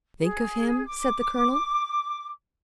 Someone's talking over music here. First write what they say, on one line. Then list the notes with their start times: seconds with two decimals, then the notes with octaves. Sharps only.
"Think of him?" said the colonel.
0.20 G#4
0.85 D6